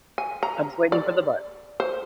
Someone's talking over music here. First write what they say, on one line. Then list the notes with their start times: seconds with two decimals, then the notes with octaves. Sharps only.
I was waiting for the "but."
0.18 G#5
0.43 A#5
0.92 D5
1.80 C5